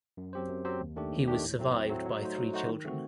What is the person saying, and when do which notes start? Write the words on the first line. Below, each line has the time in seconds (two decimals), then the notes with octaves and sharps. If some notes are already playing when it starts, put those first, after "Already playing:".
He was survived by three children.
0.17 F#2
0.33 F#3 C4 G4 C5
0.49 F#2
0.65 F#3 C4 G4 C5
0.81 D#2
0.96 D#3 A3 D4 G4
1.12 D#2
1.28 D#3 A3 D4 G4
1.43 A2
1.59 F#3 A3 C4
1.75 A2
1.90 F#3 A3 C4
2.06 F#3
2.21 A3 D#4 F#4 C5
2.37 F#3
2.53 A3 D#4 F#4 C5
2.69 D#3
2.84 A3 C4 F#4